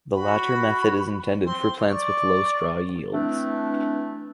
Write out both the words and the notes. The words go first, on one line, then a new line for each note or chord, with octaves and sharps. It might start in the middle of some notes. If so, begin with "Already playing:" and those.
The latter method is intended for plants with low straw yields.
F#4 B5
C4 C6
D5 C#6
E3 A3 C4 D4